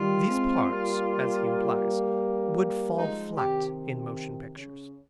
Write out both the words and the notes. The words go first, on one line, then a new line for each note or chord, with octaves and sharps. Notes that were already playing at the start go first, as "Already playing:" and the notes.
These parts, as he implies, would fall flat in motion pictures.
Already playing: D#3 G3 F4
G#3 C4
G3 A#3
F3 G#3 D#4
C3 D#3 G4
C#3